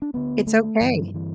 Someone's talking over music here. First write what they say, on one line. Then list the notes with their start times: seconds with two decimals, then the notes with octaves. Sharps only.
It's okay.
0.02 D4
0.14 D2 D3 B3
0.47 A3
0.81 G2 D3 E3
1.15 E3